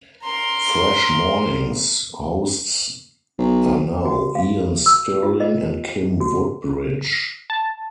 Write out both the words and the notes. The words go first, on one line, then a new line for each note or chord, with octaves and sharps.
Fresh Mornings hosts are now Ian Sterling and Kim Woodbridge.
A#4 C6
B1
F#4
F5
E6
F4
D#5
F#4
A5